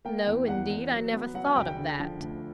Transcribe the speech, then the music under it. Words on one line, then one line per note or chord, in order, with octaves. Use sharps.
"No, indeed, I never thought of that."
A#3 G5
E2
E2 F#5
E2
F#3
B3
F#3 F#5
G#5
C#2 G5
G5
D3
F3
D2